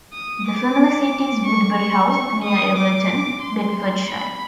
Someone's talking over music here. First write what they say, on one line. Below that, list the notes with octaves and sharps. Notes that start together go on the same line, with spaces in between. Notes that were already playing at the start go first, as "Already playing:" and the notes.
The family seat is Woodbury House, near Everton, Bedfordshire.
D#6
D6
C#6
C#6
C#6
D#6
D6
C6
B5